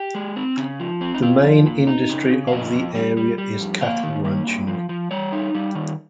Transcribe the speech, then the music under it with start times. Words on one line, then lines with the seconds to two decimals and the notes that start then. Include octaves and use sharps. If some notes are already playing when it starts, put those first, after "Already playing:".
The main industry of the area is cattle ranching.
Already playing: G4
0.15 G#3
0.36 C4
0.57 C#3
0.80 F3
1.01 C4
1.14 D#4
1.22 C4 F4
1.44 F3
1.66 A#2
1.87 D#4
2.09 C#3
2.30 C#3
2.47 F5
2.52 F2 D#5
2.73 F2
2.95 G3
3.17 G3
3.38 G3
3.60 F2
3.81 A#3 F5
4.03 D#3
4.25 A#3
4.46 G2
4.67 F3
4.89 F3
5.11 G3 C#5
5.32 D#4
5.55 G3
5.75 D#3